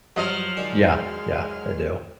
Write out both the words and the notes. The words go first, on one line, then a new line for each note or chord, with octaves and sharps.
Yeah, Yeah. I do.
G2 F3 F#3 D#5 F6
D#3 G#3 D4 G#4